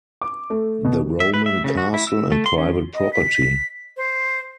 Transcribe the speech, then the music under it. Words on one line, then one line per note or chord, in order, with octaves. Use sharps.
The Roman castle and private property.
D6
A3
B2
E5
B4
E5
C#3
F#4
E4
E6
A3
C6
C#4
D#5
B6
C5